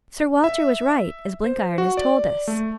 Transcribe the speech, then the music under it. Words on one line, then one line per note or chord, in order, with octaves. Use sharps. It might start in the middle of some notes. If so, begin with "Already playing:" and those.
'Sir Walter was right, as Blenkiron has told us.
E5
C5
F#4
D5
A3